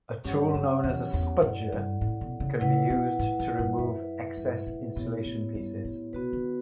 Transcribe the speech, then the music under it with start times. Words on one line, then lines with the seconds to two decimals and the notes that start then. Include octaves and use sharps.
A tool known as a spudger can be used to remove excess insulation pieces.
0.24 G2 F#3 C#4 G4 C#5 F#5
0.55 F#2
0.84 E2
1.13 E2
1.42 F#2 E4 A4 D5 F#5
1.72 G2
2.01 A2
2.21 B2
2.40 C#3
2.60 C#3 E4 B4 F#5
2.90 B2
3.19 A2
3.39 F#2
3.59 G2
3.78 F#2 E4 B4 E5
4.37 G2
4.67 A2
4.96 B2 B3 E4 G4 C#5
5.25 A2
5.55 G2
5.85 A2
6.13 B2 B3 F#4 B4
6.33 D3